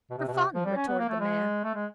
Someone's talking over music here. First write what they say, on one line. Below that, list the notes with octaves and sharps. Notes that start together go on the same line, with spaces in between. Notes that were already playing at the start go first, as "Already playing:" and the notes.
"For fun," retorted the man.
B2
C3
B2
C3
F3
G3
C#4
B3
A#3
A3
G#3
A3
G#3